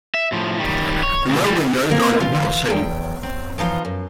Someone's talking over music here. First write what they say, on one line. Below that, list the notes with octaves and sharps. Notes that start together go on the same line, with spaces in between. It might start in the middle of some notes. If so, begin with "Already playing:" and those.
The lower windows I could not see.
E5
A2 F3
D#3 G3
C#5
D2 B2
E3 G3
A#3 C4 A#4
E3 F4 F5
E2 G5
C4
E3 F3 D#4 F4
F#2